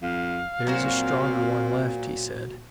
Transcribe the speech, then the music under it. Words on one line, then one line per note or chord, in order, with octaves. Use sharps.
"There is a stronger one left!" he said.
F2 F5
A#2 F#3 C4 F#4 C5